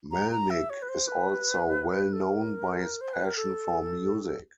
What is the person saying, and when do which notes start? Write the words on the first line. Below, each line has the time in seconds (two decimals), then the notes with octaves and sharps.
Melnick is also well known by his passion for music.
0.11 A#5
0.32 A#5
0.50 E5
0.70 C#5
0.82 B4
0.89 C5
1.07 B4
2.13 A4
2.21 A#4
3.01 C5
3.13 B4
3.24 A#4
3.36 A4